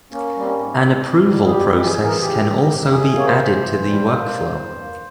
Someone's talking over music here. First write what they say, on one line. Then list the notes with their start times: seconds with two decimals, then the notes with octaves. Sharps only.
An approval process can also be added to the workflow.
0.12 A#3 C#4
0.36 G3
0.41 C4
0.46 C#4
0.59 G#2
0.82 G#2
1.04 G#2
1.28 G3
1.46 G#4
1.51 F2 G4
1.74 E3 G4
1.87 G#4
1.98 E3
2.04 A#4
2.12 G#4
2.21 C#3 G4
2.45 E3
2.68 F2
2.92 C3 G#4
3.15 A#3 C#5
3.27 C5
3.38 C3
3.61 E3
3.85 G3
4.09 A#3
4.31 G2
4.55 G2
4.78 A#3